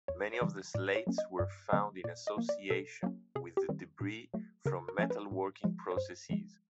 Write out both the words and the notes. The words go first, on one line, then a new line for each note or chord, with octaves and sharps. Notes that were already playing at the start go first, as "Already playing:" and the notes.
Many of the slates were found in association with debris from metal-working processes.
E2 C#5
C#5
C#3 E3 G3 D5
A2 D5
C#5
F#3 A#3 C#4
D#5
G2 D5
D3 F#3 A3 C4 D#5
A#2 D5
D#5
F3 A#3
D5
B2 A4
F#3 A#3 C#4
C3 G#4
G4
D#3 G3 C4
A#2
F#3 A3
C#3 A#4
A#4
F3 A3 C#4
B4
A2
F3 G#3
C#5
G2 C5
D3 F3 G#3